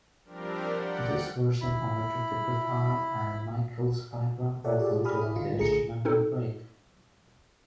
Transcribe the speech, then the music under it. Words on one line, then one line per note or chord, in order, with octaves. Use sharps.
This version omitted the guitar and Michael's background vocals during the instrumental break.
F3 G3 C4 D4 G4 A#4
D5 F#5 G5
E4 B5
G4 A4 C#5 D5 E5 F#5
F4 G4 G#4 D5
G4 G#4 D5 B5 D#6 F6
E4
D3 D#3 D#4 F4
B1 D3 A3 G#4 A#5 C#7
C4 D#4 A4